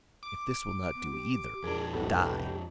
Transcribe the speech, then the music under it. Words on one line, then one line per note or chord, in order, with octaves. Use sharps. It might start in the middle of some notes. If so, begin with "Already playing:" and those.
If this will not do either, die!
D6
B3
G4
F2 D4 G#4 A#4
C2 A2 B3 G4 A4